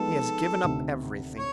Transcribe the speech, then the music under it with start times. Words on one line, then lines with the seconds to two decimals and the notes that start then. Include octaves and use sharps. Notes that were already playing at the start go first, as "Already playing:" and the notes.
He has given up everything.
Already playing: F3 G#3 B3 D#4 A4
0.64 D2 C3 D#3
1.37 C#5